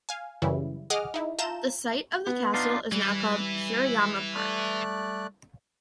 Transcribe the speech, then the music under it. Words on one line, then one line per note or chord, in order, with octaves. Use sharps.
The site of the castle is now called Shiroyama Park.
F5 G#5
F#2 C#3 E3 G3 E4
G#4 D#5 F#5 D6 D#6 F6
D#4 E4
F4 E5 A5 A#5 G6 E7
B3
D4 D#4 F4
E3 G3
A3 D5 F#6